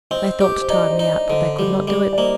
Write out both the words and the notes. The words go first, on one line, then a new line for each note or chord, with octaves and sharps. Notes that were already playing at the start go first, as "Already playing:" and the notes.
They thought to tire me out, but they could not do it.
C4 C5 D#5
G4
C5
D#4 D5
C5
D#4
D3 C5 D#5
G3
G3 D5
D5
A#3 C5 D#5